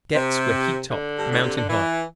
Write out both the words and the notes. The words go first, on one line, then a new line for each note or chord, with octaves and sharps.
Debts were heaped up mountain-high.
C3
D3
G2
A2
C3
D3
E3